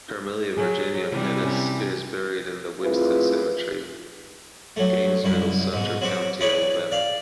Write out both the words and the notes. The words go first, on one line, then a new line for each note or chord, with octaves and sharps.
Permelia Virginia Pettus is buried in the Winston Cemetery, Gainesville Sumter County Alabama.
F#3 G#4
C3 E3 G3
C#4
A3 C4 E4 F4 G#4 B4
F#3 A3
C2 F#2 E4
G#2 B2
F#3 C4 F#4 G4
E4 G#4 B4 C#5 D5
D5 F5